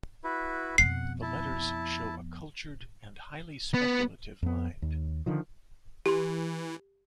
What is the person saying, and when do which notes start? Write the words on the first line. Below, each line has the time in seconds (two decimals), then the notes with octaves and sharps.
The letters show a cultured and highly speculative mind.
0.24 E4 F#4 B4
0.78 F2 B2 F#5 C7
1.22 E4 A5
3.74 B3
4.43 F2 B3
4.82 D#2
5.26 D3 D#3 F3
6.06 E3 G4 C6